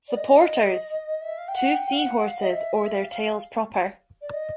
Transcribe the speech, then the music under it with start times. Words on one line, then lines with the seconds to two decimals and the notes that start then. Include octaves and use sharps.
"Supporters": Two Seahorses Or their Tails Proper.
0.08 D5
0.17 D#5
1.21 E5
1.38 F5
1.48 G5
1.55 F#5
1.73 G5
1.92 F5
1.99 F#5
2.25 F5
2.41 D#5
2.50 E5
2.76 E5
2.94 F5
3.11 F5
4.21 D5
4.33 D#5